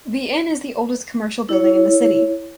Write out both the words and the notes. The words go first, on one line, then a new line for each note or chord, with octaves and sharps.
The Inn is the oldest commercial building in the city.
E4 C#5